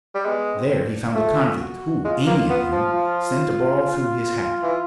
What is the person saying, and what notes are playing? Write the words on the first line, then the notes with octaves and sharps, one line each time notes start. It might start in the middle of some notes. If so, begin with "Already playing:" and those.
There he found a convict, who aiming at him, sent a ball through his hat.
G3
G#3 B3
C4
D4
A3 F4
F#4
G#3 F4
A#3
B3
F3
F4
E3